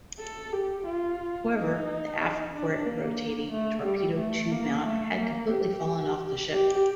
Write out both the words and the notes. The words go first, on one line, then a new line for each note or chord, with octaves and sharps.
However, the aft port rotating torpedo tube mount had completely fallen off the ship.
A4
G4
F4
D#4
D4
A#3
A3
G3
A3
A#3
A3
A#3
G4
G4